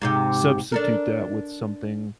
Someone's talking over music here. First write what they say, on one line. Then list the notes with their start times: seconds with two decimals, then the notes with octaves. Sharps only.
substitute that with something
0.02 G#2 C3 G4
0.72 D4 A4 A#4